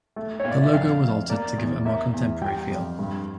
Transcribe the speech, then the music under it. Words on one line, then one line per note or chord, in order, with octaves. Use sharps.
The logo was altered to give it a more contemporary feel.
A3
C#5
A#2
D5
E5
F2 F5
F2
A#3 D5
E2
A#3 E5
E2
G3 G5
F2
G2